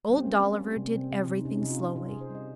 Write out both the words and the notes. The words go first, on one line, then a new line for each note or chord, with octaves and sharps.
Old Dolliver did everything slowly.
G3 C#4
C4
A#3
G3
G3
C3
C3 C4
C3
C3
D#4
C3 C#4
D#4
C3
F4
C3 D#4
C3 F4
G#4
C3
C5
G3 D#5